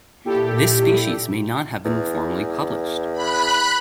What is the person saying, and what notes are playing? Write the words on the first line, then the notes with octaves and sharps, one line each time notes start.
This species may not have been formally published.
A#2 E4 G4 A4
E2
B5 F#6